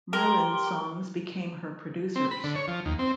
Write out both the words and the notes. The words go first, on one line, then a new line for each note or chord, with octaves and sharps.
Murlyn Songs became her producers.
G4 A#4 G5 C6
C4
B5
D3
C#5
F3
D#2
C4